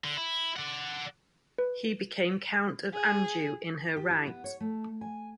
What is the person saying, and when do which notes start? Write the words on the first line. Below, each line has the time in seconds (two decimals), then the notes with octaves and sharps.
He became Count of Anjou in her right.
0.04 D3
0.17 E4
0.57 D5 F#5
1.58 B4
2.93 G#4
3.97 G4
4.11 E4
4.27 B3
4.44 C#5
4.61 A3
5.01 G#5